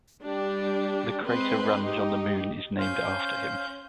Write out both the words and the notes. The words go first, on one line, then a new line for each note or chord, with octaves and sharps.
The crater Runge on the Moon is named after him.
G3 D4 G4
G#3 C4 B4 C6
D#4 G4
C#4 C5 F5 G6